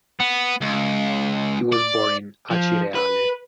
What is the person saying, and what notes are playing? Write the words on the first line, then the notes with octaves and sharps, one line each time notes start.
He was born in Acireale.
B3
C#2
D5
F3
B4